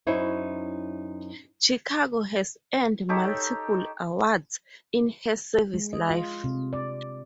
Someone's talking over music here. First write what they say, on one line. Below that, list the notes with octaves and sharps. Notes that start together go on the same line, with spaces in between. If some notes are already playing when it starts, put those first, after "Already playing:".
"Chicago" has earned multiple awards in her service life.
F#2 C#4 D#4 E4 C5 C#5
D#4 G4 A4 C#5
G#3
D#5
F4
C3
D5